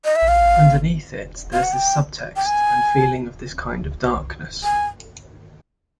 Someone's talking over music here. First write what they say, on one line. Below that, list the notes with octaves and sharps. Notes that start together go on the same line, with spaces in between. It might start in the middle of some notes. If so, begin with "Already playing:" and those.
Underneath it, there's this subtext and feeling of this kind of darkness.
D#5
E5
F5
F5
F#5
G5
G5
G#5
G#5